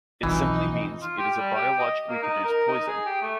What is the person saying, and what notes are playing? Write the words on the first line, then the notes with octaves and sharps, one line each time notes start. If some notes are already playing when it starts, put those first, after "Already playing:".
It simply means it is a biologically produced poison.
B1 F2 E3 D#4
F4
G4
G3
G4
D#5
A#3
D#4
A#4
D#4
G#4
G4
A3